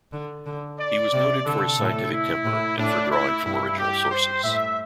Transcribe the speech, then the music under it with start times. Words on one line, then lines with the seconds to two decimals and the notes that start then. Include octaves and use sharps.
He was noted for his scientific temper and for drawing from original sources.
0.12 D3
0.46 D3
0.79 D5
1.12 C3
1.45 D3 A4
1.79 A2
2.12 E4
2.45 A2
2.78 A2 D4
3.11 E4
3.44 G2 E4
3.78 G4
4.11 C5
4.44 A2 E5